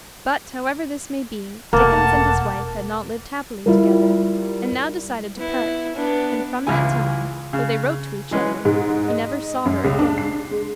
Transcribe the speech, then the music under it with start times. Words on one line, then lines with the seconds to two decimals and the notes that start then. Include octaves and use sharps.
But, however this may be, Dickens and his wife had not lived happily together, and now decided to part, and from that time, though they wrote to each other, he never saw her again.
1.73 E1 A3 A#3 F#5 A5
3.66 G3 E4 F4 A#4
5.36 B3 E4
5.95 B3 D4
6.67 C#2 C#3 E3 E4 G#5
7.53 C#3
8.31 E3 G#3 C#4 B4
8.65 G#2
9.08 D#5
9.65 F#2
9.84 C#2
9.99 D4
10.18 C7
10.51 G#3